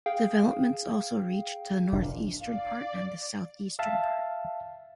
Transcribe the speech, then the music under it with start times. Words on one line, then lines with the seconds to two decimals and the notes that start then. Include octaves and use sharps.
Developments also reached the northeastern part and the southeastern part.
0.06 G#4 F5 G5
1.92 F1 A#2 D4
2.40 D5 F5
3.79 E5 F5 A5